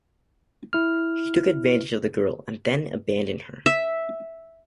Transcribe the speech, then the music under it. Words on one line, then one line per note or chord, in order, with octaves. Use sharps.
He took advantage of the girl and then abandoned her!
E4 F6
E5